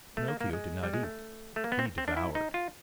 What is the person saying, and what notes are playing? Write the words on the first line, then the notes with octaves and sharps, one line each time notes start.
Pinocchio did not eat; he devoured.
A3
A#3
A#3
G#3
G3
G#3
A3
A3
A#3
B3
C4
C4
D4
E4
D#4
F4